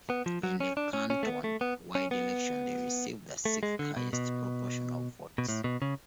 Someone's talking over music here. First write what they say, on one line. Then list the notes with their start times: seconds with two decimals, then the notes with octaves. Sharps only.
In the canton-wide election they received the sixth highest proportion of votes.
0.10 B3
0.26 F3
0.43 F#3
0.60 C#4
0.77 D4
0.93 C#4
1.10 C#4
1.23 A3
1.27 B3
1.44 A3
1.61 B3
1.95 C#4
2.11 B3
3.45 A3
3.63 G#3
3.79 D3
3.97 B2
4.13 B2
5.38 B2
5.49 A2
5.64 B2
5.82 C#3